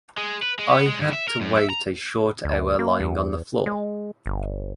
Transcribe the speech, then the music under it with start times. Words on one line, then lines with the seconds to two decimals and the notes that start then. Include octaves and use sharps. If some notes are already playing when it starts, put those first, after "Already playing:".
I had to wait a short hour lying on the floor.
0.18 G#3
0.43 B4
0.59 G#3
0.72 B3
0.87 G#3
0.99 G2
1.13 E5
1.28 A#4
1.41 F#2
1.58 E5
1.70 A#5
2.45 D2
2.79 A#3
3.00 E2
3.66 G#3
4.26 G1